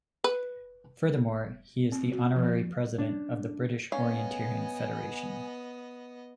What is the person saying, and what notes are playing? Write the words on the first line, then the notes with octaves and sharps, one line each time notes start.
Furthermore, he is the Honorary President of the British Orienteering Federation.
B4
C4
F#4
F3
D4
B3 C#4 D#5 F5 G#5